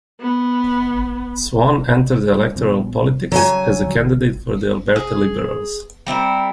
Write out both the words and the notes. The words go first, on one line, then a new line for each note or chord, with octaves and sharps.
Swann entered electoral politics as a candidate for the Alberta Liberals.
B3
A#1 F3 B3
C#3 F#3 G#5
B1 D3 E3
G#4
G3 C4 E4 A#4